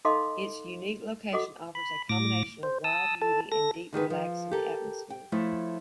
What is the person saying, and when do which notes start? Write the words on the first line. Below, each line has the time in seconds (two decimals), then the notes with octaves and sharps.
Its unique location offers a combination of wild beauty and a deep relaxing atmosphere.
0.05 D#4 A4 D#5 F5 C6 D6
1.33 F#4 A4 D#5 F#5 D6
1.75 B5
2.09 A2 D6 A#6
2.63 C5
2.84 A5 D#6 E6
3.22 A4 A5
3.52 A4 A#6
3.93 D3 D#3 G#4 B4
4.10 F3
4.51 G4 A4 A#4
5.10 G5
5.32 F3 A3 E4 C#5